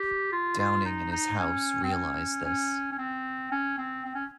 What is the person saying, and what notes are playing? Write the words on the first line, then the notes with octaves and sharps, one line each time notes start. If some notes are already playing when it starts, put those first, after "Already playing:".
Downing and his house realized this.
Already playing: G4
F4
F4
D#4
D#4
C#4
C4
C#4
C#4
C#4
C4
C#4
C4
C4
C#4